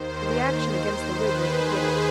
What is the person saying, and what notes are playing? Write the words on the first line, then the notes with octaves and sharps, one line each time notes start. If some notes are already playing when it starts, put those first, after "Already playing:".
The reaction against the wig was beginning.
Already playing: D#2 D#3 C5
C5
B4
G#4
B4